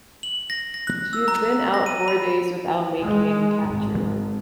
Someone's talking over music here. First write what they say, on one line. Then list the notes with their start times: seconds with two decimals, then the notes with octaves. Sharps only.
She had been out four days without making any captures.
0.23 F#7
0.50 A#6
0.74 A#6
0.87 F#6
1.13 E6
1.28 A#5
1.74 A#6
1.86 D#7
2.08 B5
3.02 G#3
3.68 G#1